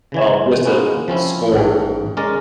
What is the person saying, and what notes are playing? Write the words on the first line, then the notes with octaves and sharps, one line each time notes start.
um, just to score.
C#3 E3 G#5
G#3 A#3 B3 C#4
F3 C4 C#4 E4
A1 G#2
G#3 C#4 A#4 D5